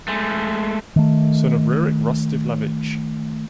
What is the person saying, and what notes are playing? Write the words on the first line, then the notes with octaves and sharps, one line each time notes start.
Son of Rurik Rostislavich.
G#3 A3
D#3 A3